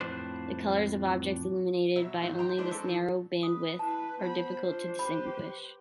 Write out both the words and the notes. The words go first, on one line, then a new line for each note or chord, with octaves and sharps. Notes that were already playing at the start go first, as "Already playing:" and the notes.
The colors of objects illuminated by only this narrow bandwidth are difficult to distinguish.
F2 A2 D4 B4 C5
B2 F#3 E5
G#2 E3
G5 A#5 C6
G#3 D4 E4 B4 C5
F#3 A4
E3
B4 D#6
E4 B4 A5
B3 C5 B5
D4 F4
G4 B4 B5